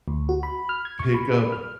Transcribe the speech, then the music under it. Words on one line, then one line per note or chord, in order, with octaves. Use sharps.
pick up
D2
F#4
B5
F6
G#6
C#6
B5
F6